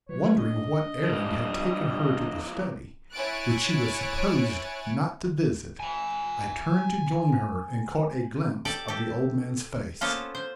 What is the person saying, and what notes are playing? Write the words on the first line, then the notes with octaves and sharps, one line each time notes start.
Wondering what errand had taken her to the study, which she was supposed not to visit, I turned to join her and caught a glimpse of the old man's face.
E3 F#3 B4 C#5
D4 D#5
E2 F3 G3
E4 C#5 G#5 F#6 A6 D7
G#5 B5
G4 A4 D5
G4 A4
A#3 B3 C#4 F4 A4 C5
C5